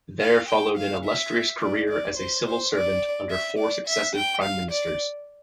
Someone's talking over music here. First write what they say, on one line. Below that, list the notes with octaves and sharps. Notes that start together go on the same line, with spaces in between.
There followed an illustrious career as a civil servant under four successive Prime Ministers.
F5
G5
F5
E5
D5
D5
C5
C5
D5
E5
D5
E5
G5
F5
D5